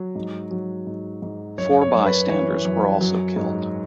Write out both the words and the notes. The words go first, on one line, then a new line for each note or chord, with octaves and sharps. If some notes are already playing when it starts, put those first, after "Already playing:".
Four bystanders were also killed.
Already playing: F#3
G#2
F#3
G#2
G#2
F#2 C#5
C#5
F#2
B4
E3 C#5
F#2
F#3
G#2